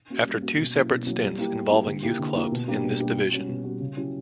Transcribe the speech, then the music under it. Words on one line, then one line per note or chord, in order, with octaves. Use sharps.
After two separate stints involving youth clubs in this division.
A#3 C#4 F#4
G3
A#3 C#4 F#4
B2
F#3 A#3 C#4 E4
B2
F#3 A#3 C#4 E4
G3
A#3 E4 G4
G3
A#3 E4 G4
D3
A#3 E4 G4
D3
A#3 E4 G4
B2
G3 A#3 D4 G4
B2
G3 A#3 D4 G4
B2
G3 C#4 F#4
B2
G3 C#4 F#4
C#3
F#3 C#4 E4 G4